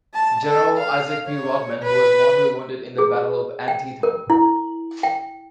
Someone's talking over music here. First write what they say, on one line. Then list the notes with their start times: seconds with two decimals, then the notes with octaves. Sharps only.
General Isaac P. Rodman, who was mortally wounded at the Battle of Antietam.
0.14 A5
0.46 A4
0.78 F5
1.27 C#5
1.83 B4
2.98 G#4
3.68 G5
4.03 A#4
4.30 E4
5.03 G5